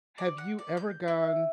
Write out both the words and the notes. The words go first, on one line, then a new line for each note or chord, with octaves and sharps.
Have you ever gone
D5
F#5
D5
G6
E4